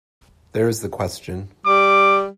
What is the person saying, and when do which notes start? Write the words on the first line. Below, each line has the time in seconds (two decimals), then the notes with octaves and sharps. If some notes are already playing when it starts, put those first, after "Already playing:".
There is the question.
1.66 G3 D6